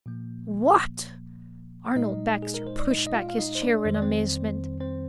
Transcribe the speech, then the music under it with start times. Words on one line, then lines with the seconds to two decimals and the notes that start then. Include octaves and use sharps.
"What!" Arnold Baxter pushed back his chair in amazement.
0.06 A#2 F3 A#3
1.96 A#2 G#3 D#4 D#5
2.42 G#4
2.54 A#4
2.67 C5
2.79 D5
2.90 D#4 D#5
3.07 D#5
3.14 F4 F5
3.29 F5
3.38 D#4 D#5
3.55 C5
3.62 D4 D5
3.85 F2 D#3 G3 C5
3.95 D5
4.02 C4 C5
4.80 C4 C5